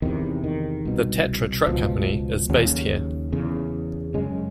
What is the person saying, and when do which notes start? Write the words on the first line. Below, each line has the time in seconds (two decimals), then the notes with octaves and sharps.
The Tatra truck company is based here.
0.02 E2 C3 D#3
0.44 D#3
0.85 C2 B2
1.67 C#2 B2 F3
2.49 D#2 C#3 F#3
3.32 E2 C#3
4.14 F#2 C#3 G#3